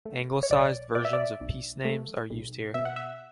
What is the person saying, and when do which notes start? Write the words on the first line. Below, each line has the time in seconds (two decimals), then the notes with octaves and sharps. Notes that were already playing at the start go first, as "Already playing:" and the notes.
Anglicised versions of piece names are used here.
0.05 A3
0.43 C#5
0.50 B1 D5
0.95 B2 D5
1.05 E5
1.13 D5
1.40 B1
1.85 A3
2.30 B1
2.74 B2 E5
2.85 F#5
2.96 E5